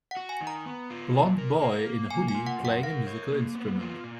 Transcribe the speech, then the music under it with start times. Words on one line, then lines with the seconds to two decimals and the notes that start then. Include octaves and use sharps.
Blond boy in a hoodie playing a musical instrument.
0.11 F#5
0.17 F#4
0.29 G#5
0.41 D#3
0.47 A#5
0.66 B3
0.90 F4
1.14 A#2
1.38 A#4
1.62 F5
1.86 A#3
2.11 A#3 G#5
2.28 G#5
2.35 F4
2.47 F#5
2.59 F#2
2.65 F#5
2.83 A#4 F5
3.07 C#5
3.32 A#3
3.55 B3
3.80 F4
4.04 A#2